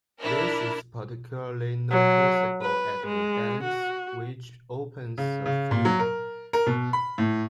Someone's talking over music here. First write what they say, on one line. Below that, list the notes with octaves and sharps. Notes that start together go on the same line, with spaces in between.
This is particularly noticeable at the dance which opens the film.
D4 E4 A#4
F#3
B4
G#3
F#4
C#3
C#3
A#2
F#3
A#4
A#4
B2
B5
A2